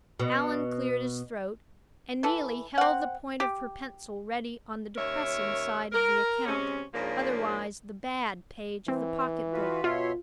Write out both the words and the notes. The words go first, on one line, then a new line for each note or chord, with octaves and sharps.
Allan cleared his throat, and Neelie held the point of her pencil ready on the depressing side of the account--otherwise the "Bad" page of the pocket-book.
B2
E3 A4
C4 F#5
G4
D#2 C#4 A#4 C#5 E5
A#4
C3 G#3 C#4
G#2 C#3 F3 A#3 D4
E3 C4
F4 F#4 B4
B2 F4 C#5 E5 C6